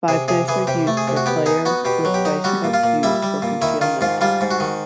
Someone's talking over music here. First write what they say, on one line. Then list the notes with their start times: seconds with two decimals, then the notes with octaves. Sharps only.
Five dice are used per player with dice cups used for concealment.
0.08 C3 G#4
0.28 C3 G#4
0.48 E3 G#4
0.67 C3 G4
0.87 A3
0.97 G#4
1.07 C3
1.17 F#4
1.26 B3 G4
1.46 D#4 G#4
1.66 B3 F#4
1.85 B2 G4
2.05 F#3
2.14 G4
2.25 D#4
2.44 G3 F#4
2.64 A#2
2.74 F4
2.84 A#2
3.03 G3 E4
3.23 G3
3.42 A#2
3.62 D#3 E4
3.81 D#3 F4
4.01 G#2 F4
4.21 G3 F4
4.41 G#2
4.51 F#4
4.60 D#3